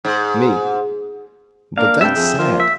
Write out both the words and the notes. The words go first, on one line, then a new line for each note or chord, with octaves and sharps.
ME: But that's sad.
G#2
A#3 D4 A#4 F5
G2 C3 E5 G5
F2 G#4
F3 A#3 F4
E5